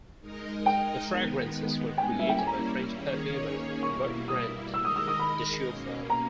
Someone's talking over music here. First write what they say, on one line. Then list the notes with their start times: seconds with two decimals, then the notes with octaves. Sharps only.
The fragrances were created by French perfumer Bertrand Duchaufour.
0.21 G#3 D#4 A#4 D#5
0.66 G5
1.12 D#3 G#3 B3
1.98 G5
2.01 G3 A#3 C#4 E4 G#5
2.19 E5
2.29 G5
2.38 G#5
2.47 A#5
2.92 D#3 A#3 C#4 G#4 C#5
3.83 B2 G3 A#3 E4 C#6
4.28 D#6
4.73 D#3 G#3 D#4 A#4 D#5 E6
4.85 D#6
4.96 E6
5.08 D#6
5.19 B5
5.65 B2 A#3 C#4
6.10 A#5